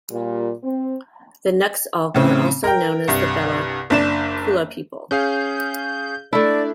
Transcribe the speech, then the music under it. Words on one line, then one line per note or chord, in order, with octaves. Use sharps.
The Nuxalk are also known as the Bella Coola people.
A#2 G3
C4
A2 C#3 C4
A#4 G5
C2 G2
F#1 D4 E7
C#4 G#4 F5 G6
A3 D4 E4 D5